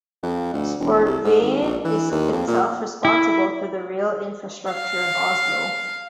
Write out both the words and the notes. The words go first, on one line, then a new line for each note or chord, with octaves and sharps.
Sporveien is itself responsible for the rail infrastructure in Oslo.
F2
D2
E1
C2
G#2
G#1
A#1
E3
D#2
F2
A#2
E4
F5